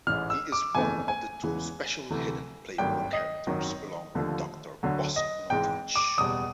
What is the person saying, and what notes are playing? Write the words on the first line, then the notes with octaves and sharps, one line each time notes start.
He is one of the two special hidden playable characters, along with Doctor Boskonovitch.
A1 G#2 E3 F6
E6
D6
G1 F2 C#3 E3 A3 G#5
G#5
E2 C#3 E3 G#3
D2 C3 E3 A3
G#1 G2 D#3 F#3 A3 G5
D#5
G#1 F#2 D#3 F#3
D#2 D3 F3 A3
D2 D3 F#3
D#5
G#1 G#2 E3 G#3 G5
D6
F#1 E2 B2 G3 D#6